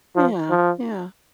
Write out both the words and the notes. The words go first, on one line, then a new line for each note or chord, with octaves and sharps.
Yeah. Yeah.
F3
F3